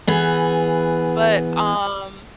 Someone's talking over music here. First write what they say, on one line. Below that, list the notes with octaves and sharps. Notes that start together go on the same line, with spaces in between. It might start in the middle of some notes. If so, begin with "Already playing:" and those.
But, um,
E3 B3 G#4